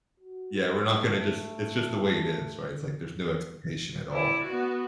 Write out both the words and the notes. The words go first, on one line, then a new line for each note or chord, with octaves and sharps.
yeah, we're not gonna just it's just the way it is, right? It's, like, there's no expectation at all,
F#4
A3
E4 D5
B3 F#4